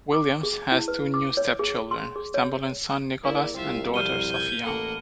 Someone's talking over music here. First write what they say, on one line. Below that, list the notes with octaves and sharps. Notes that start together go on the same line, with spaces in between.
Williams has two new step children, Sambolin's son Nicolas and daughter Sofia.
D6
G#4
E4
B4
D6
C#5
G#4
C6
G#4
C#5
A#3 E4 G#4 A#4 D5
C2 C4 F4 E5 F5
F2 B2 G3 C5 F6 D#7 G7
G6 G#6
A1 A#3 A4 F#5 B5